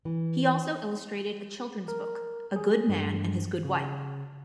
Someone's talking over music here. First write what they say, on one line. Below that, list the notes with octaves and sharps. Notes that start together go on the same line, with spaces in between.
He also illustrated a children's book "A Good Man and His Good Wife".
E3
A#4
G#4
G2
C#3